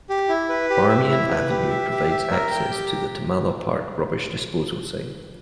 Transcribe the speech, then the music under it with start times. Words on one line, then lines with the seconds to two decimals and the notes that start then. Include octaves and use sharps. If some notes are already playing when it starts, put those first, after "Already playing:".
Marmion Avenue provides access to the Tamala Park Rubbish Disposal Site.
0.10 G4
0.29 E4
0.49 B4
0.70 G4
0.89 E5
1.10 E4
1.30 B4
1.50 G4
1.69 E5
1.91 G4
2.10 E5
2.31 A#4
2.51 G5
2.70 G4